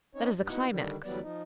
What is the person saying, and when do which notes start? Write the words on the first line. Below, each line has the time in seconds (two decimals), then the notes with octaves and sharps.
That is the climax.
0.15 C4 C#4 D#4 C#5
0.33 G2
0.48 B3 D#4 E4 F#4 F#5
0.69 D3 D#3 G3
1.05 D2 E3 F#3 G3 B3 D5
1.21 F3 D#4